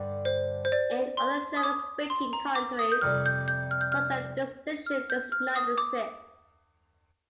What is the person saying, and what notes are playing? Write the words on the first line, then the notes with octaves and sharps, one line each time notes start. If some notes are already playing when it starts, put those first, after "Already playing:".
In other German-speaking countries such a distinction does not exist.
Already playing: G2 D3 G3 D4 D5
C5
C5
D5
C6
D#6
D6
C6
A#5
D6
D#6
G6
F2 C3 G3 F6
G6
G6
F6
G6
F6
F6
G6
F6
D#6
D6